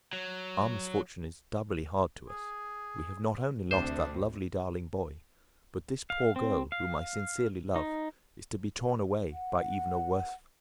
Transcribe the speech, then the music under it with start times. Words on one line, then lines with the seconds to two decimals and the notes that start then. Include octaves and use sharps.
Our misfortune is doubly hard to us; we have not only lost that lovely darling boy, but this poor girl, whom I sincerely love, is to be torn away by even a worse fate.
0.13 F#3
2.29 G#4
3.71 D2 C3 D4 C5
6.10 F5
6.36 C4
6.72 F5
7.76 D#4
9.32 F#5